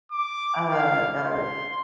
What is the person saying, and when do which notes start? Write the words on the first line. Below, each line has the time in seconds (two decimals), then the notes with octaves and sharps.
a a
0.12 D6
0.74 F5
1.27 C6